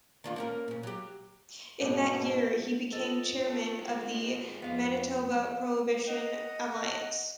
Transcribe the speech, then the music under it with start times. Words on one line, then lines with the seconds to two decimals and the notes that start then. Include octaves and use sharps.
In that year, he became chairman of the Manitoba Prohibition Alliance.
0.24 D#3 D4 F4
0.36 A#3 C#4 A#4
0.68 A#2 C#4
0.83 F#3 G4
1.81 G#2 B2 C4 D4
2.92 F4 A4 C5 D#5
3.47 A3
3.80 G#2 C4
4.62 F2 B3 F5
6.08 D#5 F#5